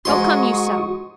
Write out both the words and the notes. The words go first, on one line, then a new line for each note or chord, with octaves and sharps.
How come you so?
G#2 F#4 C6 C#6 D#6